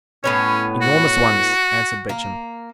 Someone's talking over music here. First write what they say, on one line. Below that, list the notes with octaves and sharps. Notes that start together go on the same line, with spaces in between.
"Enormous ones," answered Beauchamp.
A2 B3 C#4 C#5
F#4
A#3